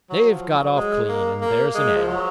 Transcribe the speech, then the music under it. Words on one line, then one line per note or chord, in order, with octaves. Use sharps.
They've got off clean, and there's an end.
F#3
F3
F#3
G#3
A#3
A#3
G#3
F3
F#3